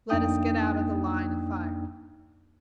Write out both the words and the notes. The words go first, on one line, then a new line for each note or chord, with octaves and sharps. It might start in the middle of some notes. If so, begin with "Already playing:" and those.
"Let us get out of the line of fire."
F2 A#3 D4 D#4 G5 D#6